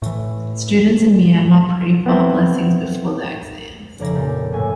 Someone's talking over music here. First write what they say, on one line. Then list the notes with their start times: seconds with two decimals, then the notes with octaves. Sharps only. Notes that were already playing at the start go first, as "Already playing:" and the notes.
Students in Myanmar pray for her blessings before their exams.
0.02 A2 E3
2.06 B3 C4 E4
3.99 F1 C#3 D5 A#5 G#6
4.14 A#2 G4 A5
4.52 G1 A2 G#5 E6